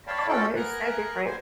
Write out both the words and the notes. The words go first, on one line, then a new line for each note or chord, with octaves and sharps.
I don't know, it's so different
C#5 D5 F5 G5 A5 B5
C#4 F4 F#4 A4 D5 G5
B3 A#4 G#5 A#5 F#6
A#3 B3 C5 G#5